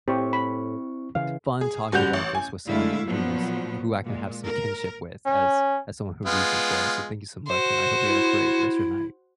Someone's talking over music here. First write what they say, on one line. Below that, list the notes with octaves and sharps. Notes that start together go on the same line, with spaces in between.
t fun talking about this with someone wh who's who I can have some kinship with as as someone who reads as well. So, thank you so much, and I hope you have a great rest of your night.
A2 C4 E4 G4 C#6
B5
C#3 E3 F5
G#4
F#1 G3 F#4 F#5 G6 F7
A1
G#5
D3 G#3 A3 E4 E5 F5
A#2 F3 F#3 B3
A#2 G#3
A#4
C#4
G#3 B3 F4
F#4 C5
E4